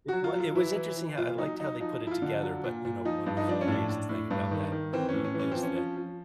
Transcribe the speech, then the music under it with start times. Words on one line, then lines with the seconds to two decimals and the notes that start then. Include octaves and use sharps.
It w it was interesting how I liked how they put it together, but, you know, one hilarious thing about that movie is that
0.08 F#3 F#4
0.24 F4
0.34 F#3
0.40 F4
0.55 E3 E4
0.76 E3
0.97 E3
1.18 A#2 F4
1.38 F#3 D#4
1.60 F#3 D#4
1.80 F3 D#4
2.01 F3
2.07 E4
2.11 F4
2.22 D3
2.42 F#3
2.64 A#2
2.85 A#2
3.05 F3 D#4
3.26 G2
3.37 D#4
3.47 F3 D4
3.61 C#4
3.67 A2 D4
3.89 A2
4.09 A2
4.31 G2
4.51 D#3
4.72 D#3
4.93 E3 C4
5.09 C#4
5.14 A2
5.24 C#4
5.34 E3
5.40 C#4
5.52 F3 C4
5.63 C#4
5.76 F3
5.97 F3